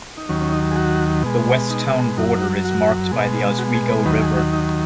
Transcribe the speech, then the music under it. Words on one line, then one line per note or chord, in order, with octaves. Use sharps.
The west town border is marked by the Oswego River.
D#4
D#2 D#3 F#3 C#4
C#4
D#4
G#4
F#4
B2 G#3
D#4
F#2 F#3 D#4
D#4
F#4
F#4
B2 G#3
F#4
G#4
B4
D#2 D#3 F#3 B4
G#4
F#4
D#4